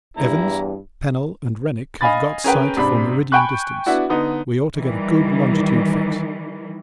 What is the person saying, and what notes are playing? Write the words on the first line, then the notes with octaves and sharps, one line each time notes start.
Evans, Pennell, and Rennick have got sight for meridian distance; we ought to get a good longitude fix.
E2 G2 E4 A#5
D#5 F5 G#5 B5 A6
C#4 G#4 A#4 B4 G5
G#2 C3 D4 B5
G5 G#5 B5 C#6 F#6
B3 D4 E4 F#4
D3 B3 D#4
D#3 E3 G3